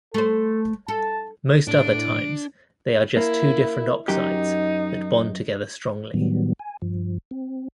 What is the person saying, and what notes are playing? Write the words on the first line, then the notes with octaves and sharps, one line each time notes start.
Most other times they are just two different oxides that bond together strongly.
A3 A4 C5
A4 A5
A2 D4 D7
A#3 E4
F#2 D#4 G4
A2 D#3 F#3 G3 B3
G#5
G2 F3
C4